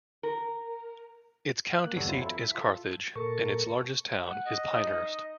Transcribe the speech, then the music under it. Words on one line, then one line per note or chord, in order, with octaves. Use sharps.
Its county seat is Carthage and its largest town is Pinehurst.
A#4
A#3 F#6
G1 E2 G3 B3 A4 C#5
F#3 C4 E4 F4
E4 A4
E5 B6
F4 A4
A#2 A4 A#4 A5 C#6
F#5
D#5
D#4 D#6